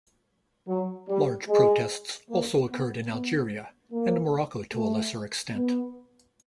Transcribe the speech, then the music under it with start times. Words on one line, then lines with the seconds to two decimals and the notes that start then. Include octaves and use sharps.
Large protests also occurred in Algeria and Morocco to a lesser extent.
0.67 F#3
1.08 G3
1.48 G#3
2.29 A#3
2.70 B3
3.11 B3
3.92 A#3
4.73 A3
5.54 B3